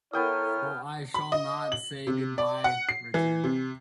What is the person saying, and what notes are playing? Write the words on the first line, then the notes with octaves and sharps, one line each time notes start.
So I shall not say good-bye, Richard.
B3 E4 A4 A#4 C#5 G5 D#6 F6
B5
D#5
F#7
C3
D5
F#5
C7
E3
C3